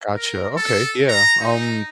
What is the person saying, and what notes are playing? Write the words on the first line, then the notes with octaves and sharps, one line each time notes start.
Gotcha, okay, yeah, um,
A#4
A4
A#5
D#4